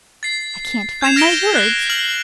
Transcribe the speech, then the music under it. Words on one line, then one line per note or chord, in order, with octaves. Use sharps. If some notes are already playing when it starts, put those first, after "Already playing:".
I can't find my words.
A6 C7
G6 G#6 C7 E7 F7
F6 A#6 B6 D7 E7 G7
F#6 C7
F6 F#7